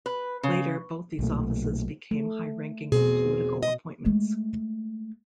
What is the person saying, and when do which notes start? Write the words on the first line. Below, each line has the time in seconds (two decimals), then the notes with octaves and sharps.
Later, both these offices became high-ranking political appointments.
0.06 B4
0.43 C#3
1.19 B1 A#2 A3
2.11 A3
2.92 E2 B2 C4 G#4
3.63 D#5
4.05 G#3 A3